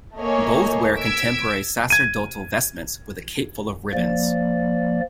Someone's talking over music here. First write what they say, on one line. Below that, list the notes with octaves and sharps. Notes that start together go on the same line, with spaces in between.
Both wear contemporary sacerdotal vestments with a cape full of ribbons.
A3 A#3 C#5 D#5 G#5
E6 G#6 B6 D7
G#6 D#7
F3 A#3 D5